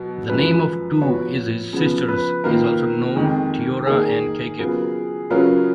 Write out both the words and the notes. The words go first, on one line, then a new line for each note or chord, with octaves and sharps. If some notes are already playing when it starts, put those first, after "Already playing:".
The name of two is his sisters is also known: Tiora and Caycape.
Already playing: B2 F#3 B3
F#2 F3 G#3 B4
F3 B3 F#4 C#5
C#3 F3 B3
B4
D#3 A#3 F4 A#4
F2 D#3 G#3
D#3 A#3 D#4 G#4 A#4
C#3 F#3 B3 F4 A#4
C#3 F#3 C#4 F4 A#4 B4